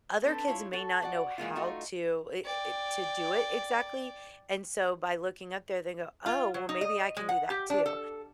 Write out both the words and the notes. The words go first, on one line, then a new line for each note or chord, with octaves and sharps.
other kids may not know how to eh eh, to do it exactly, and so by looking up there, they go, "Oh, well, maybe I can do that, too."
C4 D4 G#4 A4 B4
E4 F4 C#5
F#4 A4
F#4 D5 F#5
E3 G#3 A#3 F4
G3 A3 D#4 F4 F#4
D5 G5
F4
F#3
D#4
D#5
G#3
F#5
G4
D4
A4